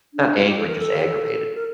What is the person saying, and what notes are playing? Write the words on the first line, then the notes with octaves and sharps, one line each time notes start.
not angry, just aggravated.
D4
F4
G4
A4
A#4
A4
A4
A#4